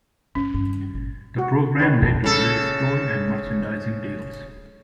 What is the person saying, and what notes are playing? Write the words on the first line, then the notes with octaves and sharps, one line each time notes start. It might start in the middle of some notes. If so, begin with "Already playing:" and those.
The program led to various toy and merchandising deals.
G2 A3 C#4
G2 D#3
G#1 A#2
F#4
D#3 C#4 B4
E1 A#1
C#3 A4